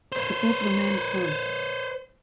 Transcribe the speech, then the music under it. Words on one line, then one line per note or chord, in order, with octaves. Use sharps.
The Pope remained firm.
B4 C5